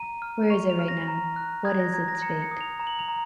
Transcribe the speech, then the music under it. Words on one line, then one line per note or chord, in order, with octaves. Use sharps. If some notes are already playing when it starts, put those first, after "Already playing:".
Where is it right now, what is it’s fate?
Already playing: A#5 D#7
F6
C#6 F7
F7
F6
A#6
A#5
F#6
D#6 G#6
A#6
A#5 G#6
A#6
A#5 C#7
C#7
D#6
F7
A#5
F#7
F7
A#5